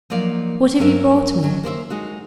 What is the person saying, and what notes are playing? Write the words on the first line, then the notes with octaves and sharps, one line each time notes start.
What have you brought me?'
F3 F#3 A#3 D#4 D5 F5
G2 F#3 C#4 A#4 E5
D#3 F#3
A#3 C5 D5 E5
G#3 D#4 F#4